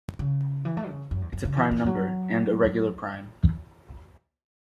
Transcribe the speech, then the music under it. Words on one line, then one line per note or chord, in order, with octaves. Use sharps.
It is a prime number, and a regular prime.
C#3
E3
A3
C#3
F#2
E2
F#2
C#3
E3
E3
F#3